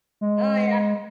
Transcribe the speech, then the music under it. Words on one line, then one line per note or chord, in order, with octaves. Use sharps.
Oh, yeah.
G#3